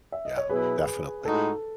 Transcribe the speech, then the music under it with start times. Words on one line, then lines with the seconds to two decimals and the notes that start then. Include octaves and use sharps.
Yeah, definitely.
0.12 E5
0.25 D#5
0.37 C#5
0.50 B2 F#3 B3 E4 G#4 B4
1.25 A2 G#3 D#4 F#4 A4